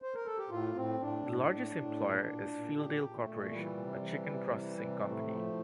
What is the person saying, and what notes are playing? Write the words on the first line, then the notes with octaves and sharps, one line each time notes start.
The largest employer is Fieldale Corporation, a chicken processing company.
C5
A#4
A4
G4
A2 F4
A2 C4
A2 D4
A2
A2
A2
A#2
A#2
A#2
A#2 G4
A#2
A3
A#2
E3 G3
C3
E3
C3
E3
C3
A2 A3
F3